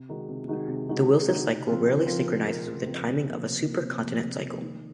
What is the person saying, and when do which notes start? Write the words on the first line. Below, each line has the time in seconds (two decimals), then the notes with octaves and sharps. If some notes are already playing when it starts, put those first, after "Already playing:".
The Wilson cycle rarely synchronizes with the timing of a supercontinent cycle.
Already playing: C3
0.09 D#3 G#3 D#4 F#4
0.29 C3
0.48 D#3 G#3 D#4 F#4
0.68 C3
0.88 D#3 G#3 D#4 F#4
1.08 C3
1.28 D#3 G#3 D#4 F#4
1.47 C#3
1.67 F3 C4 F4 A#4
1.86 C#3
2.06 F3 C4 F4 A#4
2.26 C#3
2.45 F3 C4 F4 A#4
2.66 C#3
2.85 F3 C4 F4 A#4
3.05 C3
3.25 F3 A#3
3.44 C3
3.64 F3 A#3
3.84 C3
4.04 F3 A#3
4.23 C3
4.43 F3 A#3
4.62 D#3